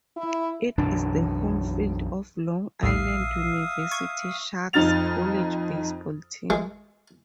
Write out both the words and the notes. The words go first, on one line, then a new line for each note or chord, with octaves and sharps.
It is the home field of Long Island University Sharks college baseball team.
E4
B1 F#2 E3 D4
A#1 D#2 A2 E5 F5 D#6 C7
C#6 G#6
F2 F3 D#4 F6 A6 F7
G#3